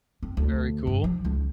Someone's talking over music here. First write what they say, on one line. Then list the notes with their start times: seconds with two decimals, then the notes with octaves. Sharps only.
Very cool.
0.23 C4
0.37 D2
0.87 G2
1.04 F3
1.25 C#2